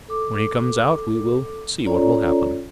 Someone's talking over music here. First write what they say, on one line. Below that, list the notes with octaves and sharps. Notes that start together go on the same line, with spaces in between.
When he comes out, we will see what will happen.
A4 D6
C#4 F4 A4 C#5 D5 A#5